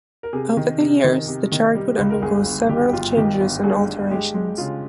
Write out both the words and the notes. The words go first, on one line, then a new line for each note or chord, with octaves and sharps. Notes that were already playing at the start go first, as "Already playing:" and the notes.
Over the years, the chart would undergo several changes and alterations.
A#4
C3 G#4
D#3
C3
D#3
C3
D#3
G3
C#2
A#4
G1 G#4
G1
D#3 G4
G4
G1 F4
D#3 G4
G1
G2 G#4
G2
G#3 G4
G#3
C#3 F4